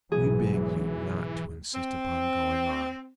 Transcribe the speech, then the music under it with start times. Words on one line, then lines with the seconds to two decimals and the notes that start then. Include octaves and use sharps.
We beg you not to insist upon going on.
0.12 B1 G#2 E3 F#3 G#4
1.74 C4